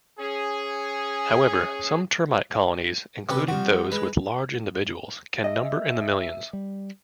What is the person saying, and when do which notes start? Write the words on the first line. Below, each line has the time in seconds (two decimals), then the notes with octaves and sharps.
However, some termite colonies, including those with large individuals, can number in the millions.
0.20 C#4 G#4
3.29 C3 C#4 G4 B4
3.48 F3 G3 C4 F#4
3.92 G#3 B4
5.44 D#5 E5
6.53 G3